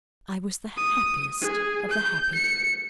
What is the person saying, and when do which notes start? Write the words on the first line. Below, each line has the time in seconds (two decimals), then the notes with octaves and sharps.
I was the happiest of the happy.
0.77 D#6
1.42 G#4
1.91 G6
2.35 C#7